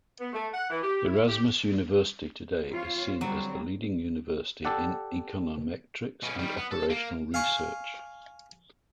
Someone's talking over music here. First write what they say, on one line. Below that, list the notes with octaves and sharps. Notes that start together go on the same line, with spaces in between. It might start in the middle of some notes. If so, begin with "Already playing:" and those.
Erasmus University today is seen as the leading university in Econometrics and Operational Research.
B3
A3
F#5
E3
G4
E4
G4
C4 F4 C#5
D3 F#3 G3 C4
G4 A4 D5 F#5
B2 C#4
D#3 G3
B3
A4
A#3
F5 G#5 C#6